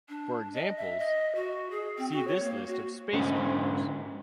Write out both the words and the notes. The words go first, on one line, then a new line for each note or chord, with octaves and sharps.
For examples, see this list of space fighters.
D4
D#5
E5
D#5
F#4
G#4
C4
F#4
C#5
A#3
F#4
G#2 D3 C#4 D#5